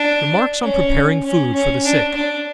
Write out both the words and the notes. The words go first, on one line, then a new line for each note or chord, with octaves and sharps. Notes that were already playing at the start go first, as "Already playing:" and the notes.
Remarks on Preparing Food for the Sick.
Already playing: D4
C#4
C#4
C#4
D4
D4